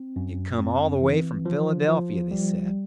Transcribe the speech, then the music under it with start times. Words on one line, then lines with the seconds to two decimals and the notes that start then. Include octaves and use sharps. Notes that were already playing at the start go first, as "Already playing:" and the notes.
It come all the way from Philadelphia, they said.
Already playing: C4
0.16 F#2
0.59 C4
1.02 E3
1.45 F3
1.88 F3
2.31 G3